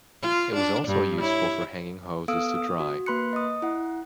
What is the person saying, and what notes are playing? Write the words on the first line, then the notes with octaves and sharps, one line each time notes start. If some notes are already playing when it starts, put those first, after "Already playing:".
It was also useful for hanging hoses to dry.
F4
D4
G2
E4 C#5
B3 A4 F5 D#6 E6 D7
D#6
F#4
A#3 B4 B5 C6 F#6 C#7
D#5 D#6
E4 F#5